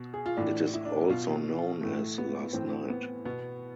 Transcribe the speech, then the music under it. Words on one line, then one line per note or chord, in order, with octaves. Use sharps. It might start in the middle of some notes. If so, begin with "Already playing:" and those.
It is also known as "Last Night".
Already playing: B2
G#4
F4
A2 E3 D4
E4
D4
D4
B2 F4
A2 E3 A3
B3
A2 E3 C4
B3
B2 B3